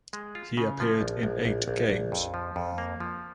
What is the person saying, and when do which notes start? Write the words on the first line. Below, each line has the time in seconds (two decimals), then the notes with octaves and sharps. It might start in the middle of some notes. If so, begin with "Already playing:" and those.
He appeared in eight games.
0.13 G#3
0.35 F4
0.57 C#3
0.80 F3
1.01 A#1
1.23 A#1
1.45 A#1
1.68 A#1
1.90 A#1
2.12 F2
2.34 F3
2.56 F2
2.78 A#3
3.00 F3